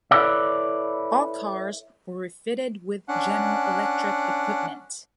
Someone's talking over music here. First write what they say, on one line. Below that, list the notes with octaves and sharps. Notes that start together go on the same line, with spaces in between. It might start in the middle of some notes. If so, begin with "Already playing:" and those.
All cars were refitted with General Electric equipment.
E4 A4 B4 C#5 D5 E5
C#4 D4 F#5